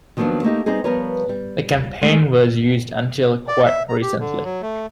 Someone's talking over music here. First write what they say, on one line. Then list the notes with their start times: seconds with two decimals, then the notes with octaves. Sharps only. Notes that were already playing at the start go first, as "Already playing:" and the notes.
The campaign was used until quite recently.
0.17 D#3 F3 F#3 A#3 B3 D4
0.43 A3 A#3 D#4 G4
0.66 G3 B3 C4 D#4 G#4
0.84 F3 G3 B3 A#4 B4 C#5
1.29 G3
2.01 G#3 A3 E4 G#4
3.48 D5
3.66 E5
3.89 A#5
4.02 G4
4.20 D3
4.44 F#3
4.62 A3